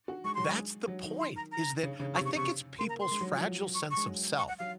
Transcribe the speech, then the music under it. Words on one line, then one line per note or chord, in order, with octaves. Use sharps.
That's the point, is that I think it's people's fragile sense of self,
F#4
G#3 C#6
F#3 C6
C#6
G#3
F#3
D#3
C6
A#5
A#5
C#3
C#3
C3 C#6
C#6
C3 C#6
A#3 C6
A#5
C6
G#3
F#3
F3
F#3
C#6
C#6
G#3
F#3
C#6
F#5
F#3 F5